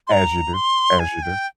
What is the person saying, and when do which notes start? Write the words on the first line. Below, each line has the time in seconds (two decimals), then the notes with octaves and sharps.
As you do. As you do.
0.07 C6
0.12 A#5
0.54 C6
1.00 G#5
1.23 G5